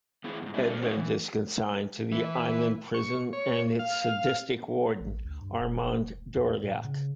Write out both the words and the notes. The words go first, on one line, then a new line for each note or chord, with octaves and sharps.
Edmond is consigned to the island prison and its sadistic warden, Armand Dorleac.
A3 B3 E4 G#4
F2 G#2
G3 G#3 A#3 D4 E4
A4 C5
C#4 D#4 F#4 G#4 C#5
E3
E3
C#6
C#5
F5
A1
D2
G2
E1
F1
E2
A2
C#3